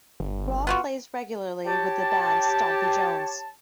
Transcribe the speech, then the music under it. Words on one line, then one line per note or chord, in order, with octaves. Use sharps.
Rob plays regularly with the band Stompy Jones.
G1
B3 F4 F#4
G4 C#5 A5